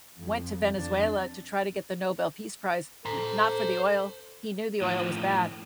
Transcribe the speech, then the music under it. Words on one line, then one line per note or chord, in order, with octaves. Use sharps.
went to Venezuela to try to get the Nobel peace prize, not for the oil. He knew the oil was bad.
F2
F2 D4
A4 C5 A#5
A2 F3